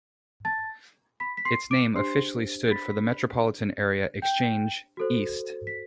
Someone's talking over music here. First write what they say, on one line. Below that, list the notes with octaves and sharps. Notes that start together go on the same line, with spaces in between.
Its name officially stood for "Metropolitan Area Exchange, East".
A5 A6
B5 B6
B6
C6 C7
D6 D7
D4 G4 C5 C6 C7
A6
B5 B6
G5 G6
F#4 A4 C5
B6